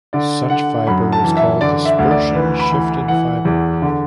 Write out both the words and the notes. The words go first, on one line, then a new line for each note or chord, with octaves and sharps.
Such fiber is called dispersion-shifted fiber.
D3 D5
D3 F#5
F#2 B5
A5
E3
E5
D3 D5
E5
D2
D5
E3 B4
B5
E3
E3 F#5
E2
D3